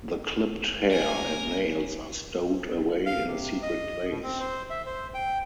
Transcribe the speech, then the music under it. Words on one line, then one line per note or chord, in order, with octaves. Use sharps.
The clipped hair and nails are stowed away in a secret place.
A#4 G#5
F5
C3
D#5
B2
C4
C5
E5
C5
G5